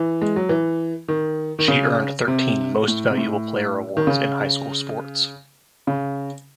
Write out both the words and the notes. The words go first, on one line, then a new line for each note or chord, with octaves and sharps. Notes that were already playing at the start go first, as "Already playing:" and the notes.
She earned thirteen Most Valuable Player awards in high school sports.
Already playing: E3
G#3
F#3
E3
D#3
D#3
C#3
C3
A2
C3
A2
D#3
C#3
C#3